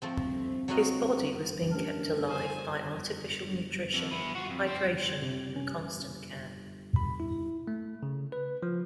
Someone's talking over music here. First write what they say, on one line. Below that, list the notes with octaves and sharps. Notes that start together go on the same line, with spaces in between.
His body was being kept alive by artificial nutrition, hydration and constant care.
F3 A3 C4
F#3 A3 C4 F#4 D#5 F5
A3 C#4 D4 G4 A#4
C5 G#5
F2
B3 E4
F4 F#4
F2
C4
G#6
C3
C#4
B5
E4
A3
C#3
B4
F3